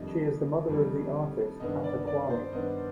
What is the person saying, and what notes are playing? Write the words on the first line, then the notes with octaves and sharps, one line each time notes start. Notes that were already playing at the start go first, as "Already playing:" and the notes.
She is the mother of the artist Atta Kwami.
Already playing: F2 D#3 G3 D4 D#5
F2 D#3 G3 D4
G2 D#3 B3 D4 D#5
D5
D5
C5
G2 D#3 B3 D4 D#5